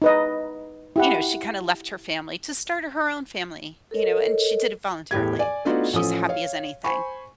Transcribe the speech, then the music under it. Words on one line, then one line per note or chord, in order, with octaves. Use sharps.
you know, she kinda left her family to start her own family, you know, and she did it voluntarily. Like, she's happy as anything.
D#4 B4 D#5
E4 G4 F#5
A4 A#4 C#5 D#5
E2 A2 G4 G#6
D5 G#5
A3 B3 D4 D#4 F4 F#4
A1 F3 C#4 A4 D#6
C#5 F5
C5 G#5 B5 C#6